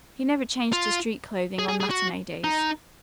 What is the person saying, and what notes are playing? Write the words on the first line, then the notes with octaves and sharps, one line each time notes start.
He never changed to street clothing on matinee days.
F4
G#4
G#4
G#4
F#4
D#4